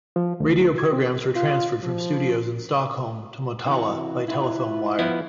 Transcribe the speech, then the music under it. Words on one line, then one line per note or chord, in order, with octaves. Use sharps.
Radio programs were transferred from studios in Stockholm to Motala by telephone wire.
F3
D2
G#6
C4
F4
F3
C3 E3 F#4
E4 F4 B4
F3 B3 E4